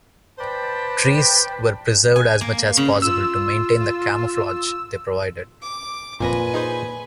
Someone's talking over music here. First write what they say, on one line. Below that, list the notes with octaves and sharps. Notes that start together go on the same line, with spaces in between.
Trees were preserved as much as possible to maintain the camouflage they provided.
B4 C5 D5 G5 A5
G#5
A#3
C#3
F4 E6
D6
G1 F2 A#2 B4 G#5 A#6
D#4 G#4 C5